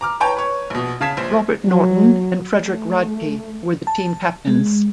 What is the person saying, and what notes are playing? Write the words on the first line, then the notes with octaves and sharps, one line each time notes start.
Robert Norton and Frederick Radke were the team captains.
A#5 D6 F6
B4 C#5 G5 A5 A#5
B4 C#5
A#1 B2
C#3 F5 A5 G#6 B6 E7
A#1 C5
F#3
A3
A5
G#3